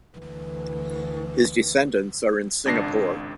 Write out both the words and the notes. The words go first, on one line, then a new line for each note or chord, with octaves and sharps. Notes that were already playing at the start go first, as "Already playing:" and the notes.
His descendants are in Singapore.
D2 E3
G#1 C#2 D4 A#6 C7